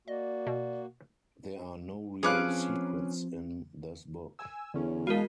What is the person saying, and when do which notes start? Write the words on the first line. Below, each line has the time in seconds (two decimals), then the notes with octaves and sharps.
There are no real secrets in this book.
0.08 A#3 F#4 D5 D#5
0.47 B2
2.23 F3 C4 C#4 G#4 B4 F5 D6 F#6
4.39 G#5 E6
4.74 E2 D3 C#4
5.07 G#3 F#4 A#4 F5 A5